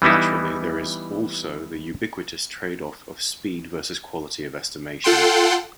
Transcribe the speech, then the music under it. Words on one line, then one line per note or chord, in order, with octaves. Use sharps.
Naturally, there is also the ubiquitous tradeoff of speed versus quality of estimation.
E3 G3 B3 D#4 E4
F4 A4 F#5 G5 C6